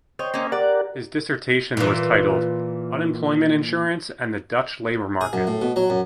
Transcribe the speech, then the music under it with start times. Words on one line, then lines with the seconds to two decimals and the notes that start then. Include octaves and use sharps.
His dissertation was titled "Unemployment insurance and the Dutch labour market".
0.19 C5 C#5 D#5 G5
0.34 A#3 C#4
0.52 G4 A#4 D5 F#5
1.77 A#2 E3
5.21 G#4
5.33 F#2
5.47 A2
5.61 B2
5.76 F#3
5.90 F#2